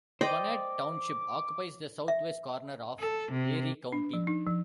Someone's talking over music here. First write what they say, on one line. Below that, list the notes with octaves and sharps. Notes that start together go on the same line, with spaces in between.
Conneaut Township occupies the southwest corner of Erie County.
C5 D5 D#5 G5 D6
E5
A4
C3
D4
F3
D#4
F3